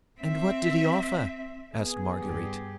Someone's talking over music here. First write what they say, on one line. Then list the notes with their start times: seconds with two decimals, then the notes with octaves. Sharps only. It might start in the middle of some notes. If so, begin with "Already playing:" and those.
"And what did he offer?" asked Marguerite.
0.21 C4 E5
1.74 B3 G#4
2.16 G2 G4